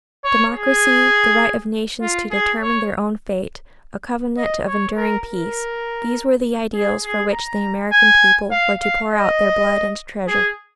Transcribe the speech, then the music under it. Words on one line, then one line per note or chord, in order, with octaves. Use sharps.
Democracy, the right of nations to determine their own fate, a covenant of enduring peace--these were the ideals for which the American people were to pour out their blood and treasure.
C#5
G#4
F4
G#4
C#5
D#5
C#5
A#4
A#4
G#4
G#4
A#5
G#5
F5
F5
D#5
G#4